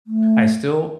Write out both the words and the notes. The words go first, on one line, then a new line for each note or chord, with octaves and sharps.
I still
A3